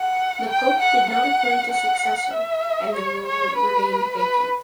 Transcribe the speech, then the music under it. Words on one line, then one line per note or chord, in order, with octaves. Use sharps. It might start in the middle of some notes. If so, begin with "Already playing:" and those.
The Pope did not appoint a successor, and the role remained vacant.
Already playing: F#5
G5
F#5
F#5
F#5
E5
C#5
C#5
B4
B4